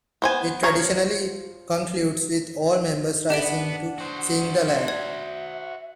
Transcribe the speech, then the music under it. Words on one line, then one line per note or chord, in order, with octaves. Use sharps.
It traditionally concludes with all members rising to sing The Land.
B3 C5 G#5
F3 C#5 A#5
B3 D4 G4 E5 F#5 D7
F#4 C5
D5 E5 G#6